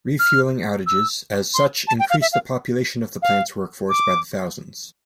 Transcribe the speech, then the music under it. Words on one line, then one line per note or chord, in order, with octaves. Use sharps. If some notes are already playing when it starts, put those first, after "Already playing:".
Refueling outages as such increase the population of the plant's workforce by the thousands.
F6
E6
C6
A5
G5
F5
E5
F5
F5
D6